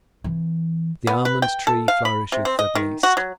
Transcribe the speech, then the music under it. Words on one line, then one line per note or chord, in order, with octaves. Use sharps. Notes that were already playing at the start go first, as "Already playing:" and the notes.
The almond-tree flourisheth at least.'
E3 C4
B3
B4
G5
A4
F5
B5
C3
C4
D#5
D#3
F#4
F#3